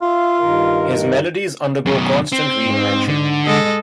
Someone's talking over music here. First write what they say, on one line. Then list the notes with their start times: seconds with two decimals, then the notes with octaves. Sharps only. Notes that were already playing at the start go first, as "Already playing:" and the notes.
His melodies undergo constant reinvention.
0.02 F4 E5 F5
0.39 G2 D#3 A#4
1.86 F#2 B2
2.32 C4
2.65 G#2
3.08 D3
3.46 G#3 A4 D#5